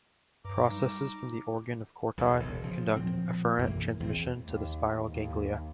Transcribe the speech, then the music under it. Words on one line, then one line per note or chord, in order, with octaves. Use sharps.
Processes from the organ of Corti conduct afferent transmission to the spiral ganglia.
G2 A#5 D6
F#3 G3 D#4
B1 E2 C#3
E1 B1
C#3 F3
A#2 F3 F#3 C4
B1 F#2 E3 A#3
E2 E3 C4
D#2
D#2